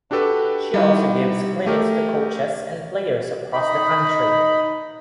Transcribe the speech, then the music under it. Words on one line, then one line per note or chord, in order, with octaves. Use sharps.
She also gives clinics to coaches and players across the country.
D4 F#4 G4 A4 B4
G3 D#4 E4 F#4
A3 G4 A#4
D#4 B5